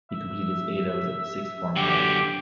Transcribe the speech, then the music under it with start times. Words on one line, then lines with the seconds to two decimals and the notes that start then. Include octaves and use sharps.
He completed his A-Levels at the Sixth Form College.
0.11 E5
1.76 F#2 D3 G4